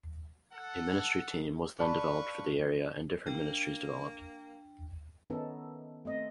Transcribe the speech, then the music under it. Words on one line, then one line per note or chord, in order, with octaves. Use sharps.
A ministry team was then developed for the area and different ministries developed.
A4 F#5
B4 D5 F5 A5 B5 C#6
A#3 D4 G5
D#3 B3 C#4 D#4 E4 A4
A3 C4 D#5